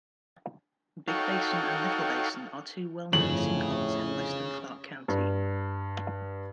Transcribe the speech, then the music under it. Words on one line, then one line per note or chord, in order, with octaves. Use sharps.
Big Basin and Little Basin are two well-known sinkholes in western Clark County.
D#4 F#4 A4 C#5 F5 G5
G1 F2 A2 C#4 G#4 F#7
G2